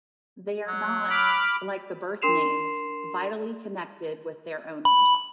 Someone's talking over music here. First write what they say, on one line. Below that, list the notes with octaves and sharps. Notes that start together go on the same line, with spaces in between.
They are not, like the birth-names, vitally connected with their owners.
F#3
B5 D6 F6
D4 A#4 C6 C7 E7 F7
B5